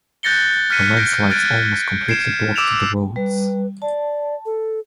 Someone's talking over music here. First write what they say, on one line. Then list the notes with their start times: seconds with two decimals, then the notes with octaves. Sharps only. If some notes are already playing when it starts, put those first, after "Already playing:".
The landslides almost completely blocked the roads.
0.23 F#6 G6 A6 A#6 C#7 G7
0.70 F6 F#6 G#6 B6 C#7 D#7
0.96 G6 A#6 C7 D7
1.30 F6 F#6 G#6 A6 D7
2.08 G#6 C7 D7 E7
2.56 D6 E6 D7 E7 F7
3.16 G3 B4
3.82 D5 A5
4.46 A4